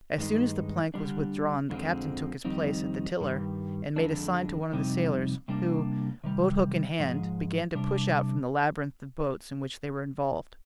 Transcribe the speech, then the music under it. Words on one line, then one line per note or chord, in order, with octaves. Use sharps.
As soon as the plank was withdrawn the captain took his place at the tiller and made a sign to one of the sailors, who, boat-hook in hand, began to push out from the labyrinth of boats in which they were involved.
G2 D#3 G#3 D#4
D3 G3 D4
F2 D3 F3 G#3 C4
F2 D#3 G3 C4 D#4
G2 D#3 G3
F2 D3 G#3 D4
F2 C3 G3 C4 D#4
C3 G3 A#3 D4
C3 D#3 G3
G#2 F3 G#3
C3 G3 D4